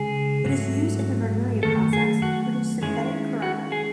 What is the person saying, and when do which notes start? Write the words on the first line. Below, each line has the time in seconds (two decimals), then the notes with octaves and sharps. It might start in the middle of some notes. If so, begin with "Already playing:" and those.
It is used in the Verneuil process to produce synthetic corundum.
Already playing: C#3 G#3 G#4
0.45 G#2 F#3 A3
1.63 F#2 D#3 A3 A4
1.93 G#4
2.22 F#4
2.82 D#3 G#3 C#4 E4 G#4
3.42 F#4
3.72 G#4